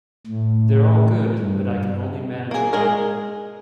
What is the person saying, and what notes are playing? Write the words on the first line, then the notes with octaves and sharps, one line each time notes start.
They're all good but I can only manage one.
A2
G2
A#3 G#4
G#3 G#4 A#4